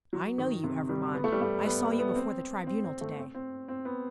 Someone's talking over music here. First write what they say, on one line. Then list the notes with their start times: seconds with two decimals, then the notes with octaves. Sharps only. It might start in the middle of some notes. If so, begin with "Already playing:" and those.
I know you, Evremonde; I saw you before the Tribunal to-day.
0.13 F#3
0.38 D#3
0.63 C3
0.89 G3
1.14 B3
1.24 A3
1.32 G3
1.41 A3
1.66 B3
1.99 B3
2.16 C4
2.67 C4
2.84 C4
3.01 A3
3.18 C4
3.34 C4
3.68 C4
3.85 B3